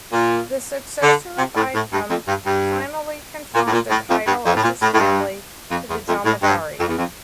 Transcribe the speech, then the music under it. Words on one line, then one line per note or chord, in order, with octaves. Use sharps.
The successor of Ikram finally confirmed the title of his family to the Jamidari.
A#2
D3
C3
A2
A2
G2
F2
G2
G2
A#2
A2
A#2
A2
F2
G2
F2
A2
A#2
A2
A2
G2
F2
E2
F2
A2
G2
F2
E2
F2